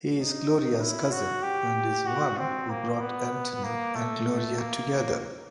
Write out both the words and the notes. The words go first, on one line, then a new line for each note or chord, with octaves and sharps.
He is Gloria's cousin and is the one who brought Anthony and Gloria together.
D#4
E4
F#4
G4
F#4
C4
A#3
B3
A#3
A3
A#3